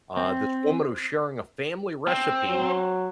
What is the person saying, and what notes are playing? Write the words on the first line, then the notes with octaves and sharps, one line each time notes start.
Uh, this woman was sharing a family recipe,
C4
C4
F#3